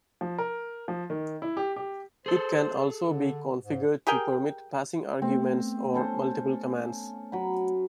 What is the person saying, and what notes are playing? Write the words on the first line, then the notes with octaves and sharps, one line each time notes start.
It can also be configured to permit passing arguments or multiple commands.
F3
A#4
F3
D#3
E4
G4
G4
G#4 A4 C5
D3
G#2
G4 G#4 A#4 G5
A3 B3 C4
C#4 A4 C5
F#3 B5